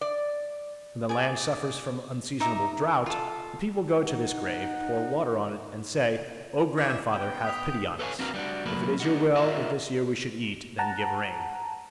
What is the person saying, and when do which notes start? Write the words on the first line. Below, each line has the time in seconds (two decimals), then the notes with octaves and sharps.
When the land suffers from unseasonable drought, the people go to this grave, pour water on it, and say, "O grandfather, have pity on us; if it is your will that this year we should eat, then give rain."
0.01 D5
1.09 G#4 D5
2.40 D#4 E5 A#5 D6
3.06 F4 A4
4.03 D#4 F#5
6.78 C#4 D5 E5
7.12 B3 G5
7.45 D#6 B6 F7
7.99 A4 B4 C#5 D5 F5 G#5
8.19 C4 D4 F#4 A#4 B4 F5
8.34 G3 D4 F#4
8.66 C#2 F#3 A3 A#3 B4
9.00 D4 D#4 F#4
9.36 F4 G#4 A#4 C#5 D#5 E5
10.79 F#5 A5 A#5